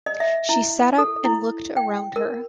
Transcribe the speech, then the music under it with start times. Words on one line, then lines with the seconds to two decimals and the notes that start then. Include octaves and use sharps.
She sat up and looked around her.
0.06 D#5
0.20 E5
0.49 E4
0.98 A4
1.24 E4
1.77 G5
2.16 A#4